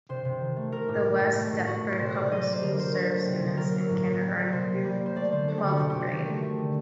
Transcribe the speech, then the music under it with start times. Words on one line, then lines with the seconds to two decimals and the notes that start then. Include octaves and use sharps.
The West Deptford Public Schools serve students in kindergarten through twelfth grade.
0.09 C3 C5
0.25 C3
0.41 D#3
0.57 A3
0.72 A3 A#4
0.88 A2 G4
1.04 A3
1.20 A2
1.35 A3
1.52 A2
1.67 A3 F#4
1.84 A2
1.99 C3 C5
2.15 C3 D5
2.31 F#3 D#5
2.41 D5
2.47 A#3
2.52 C5
2.62 D3 A#4
2.79 D3 C5
2.94 F#3 C5
3.10 A3
3.26 C3
3.42 C3
3.57 F#3 A#4
3.73 A#3
3.89 A2
4.05 A2
4.21 G3
4.37 A#3
4.53 C3 C5
4.69 C3
4.85 G3
5.01 A#3
5.06 C5
5.16 A3 D5
5.32 D3 C5
5.48 A3 A4
5.58 G4
5.64 D3
5.69 F#4
5.79 C3 G4
5.90 G4
5.95 C3
6.01 F#4
6.12 D#3 G4
6.27 A3
6.43 A3
6.59 D3